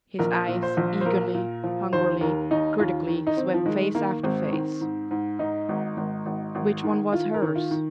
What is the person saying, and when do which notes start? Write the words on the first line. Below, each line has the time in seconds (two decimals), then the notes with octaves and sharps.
His eyes, eagerly, hungrily, critically, swept face after face. Which one was hers?
0.19 A#1 A#4
0.48 A#2
0.63 C5
0.77 A#1
1.01 C5
1.05 A#2 A#4
1.34 A#2
1.64 F3
1.93 D#2 C5
2.21 D#2 A#4
2.51 D#2 D#4
2.79 D#2 F4
3.08 D#3
3.27 D#4
3.37 D#3 C4
3.54 F3
3.65 D#3 G#3
3.95 D#3 A#3
4.23 G#1 C4
4.52 D#3
4.81 G#2
5.11 G#2
5.39 G#2 D#4
5.69 G#1
5.97 G#1
6.26 G#1
6.55 G#1
6.83 D#3
7.13 D#3 F4
7.34 A#4
7.42 D#3
7.56 F4
7.71 D#3